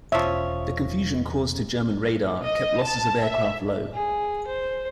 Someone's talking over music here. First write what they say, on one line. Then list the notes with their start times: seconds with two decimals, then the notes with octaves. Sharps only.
The confusion caused to German radar kept losses of aircraft low.
0.12 E1 F3 C#4 E5
2.44 D#5
2.83 A5
3.23 E5
3.94 G#4
4.47 C5